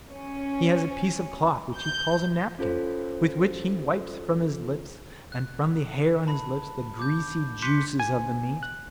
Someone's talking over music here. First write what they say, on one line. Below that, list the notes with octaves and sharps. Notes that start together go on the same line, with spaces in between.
He has a piece of cloth which he calls a napkin, with which he wipes from his lips, and from the hair on his lips, the greasy juices of the meat.
C#4
G6
C#4 F4 A4 C5
F#6
A5 B5
D6 G6
C6 D6 F#6 G6 B6 C#7
G#5
F#6